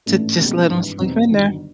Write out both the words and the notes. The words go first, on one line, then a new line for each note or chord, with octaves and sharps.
To just let 'em sleep in there.
A1 G#2 E3 A3 D4
C#2 B2 G3 A#3 D#4
G#1 G2 E3
E2 B2 G3 C4 D#4
G1 G2 D#3 F#3